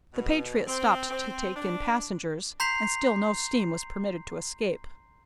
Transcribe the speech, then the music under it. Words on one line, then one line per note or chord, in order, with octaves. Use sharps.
The Patriot stopped to take in passengers, and still no steam was permitted to escape.
B2
C4
C4
D4
A#5 C6 G6 B6 C7 F7